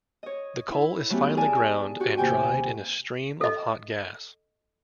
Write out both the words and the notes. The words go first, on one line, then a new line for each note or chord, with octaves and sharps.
The coal is finely ground and dried in a stream of hot gas.
C#5 D#5
E4 A4
F#3 A3 B3 C#4 E4 G4
G#4 A#4 D5 G#5 A5
F#4 G4
D#2 C3 G4 G5 G#5
A4 D#5